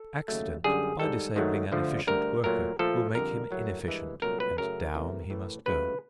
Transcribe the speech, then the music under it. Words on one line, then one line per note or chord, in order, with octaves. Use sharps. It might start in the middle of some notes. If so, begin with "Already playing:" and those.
Accident, by disabling an efficient worker, will make him inefficient, and down he must go.
Already playing: A4
D#2 C#3 F#3 A3
F#2 D3 G3 G#4
G#2 D#3 G3 A4
G#2 D#3 F#3 A3
D2 D3 F3 A3
D2 D3 G3 A#4
A#2 F#3 A3 A#4
A#2 F3 A3 A4
F2 D3 G3 A#4
A2 F#3 A3
G2 E3 G#3
C2 A#2 F#3 A3 A#4
B4
F#2 C#3 F#3 A3 A#4
E2 C3 E3 A3
A2 E3 A3
C#2 C#3 F#3 A3 B4